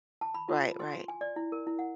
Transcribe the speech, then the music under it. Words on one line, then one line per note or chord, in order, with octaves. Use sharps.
Right, right.
A5
B5
F4
C6
G#5
D5
E4
A#4
E4
F#5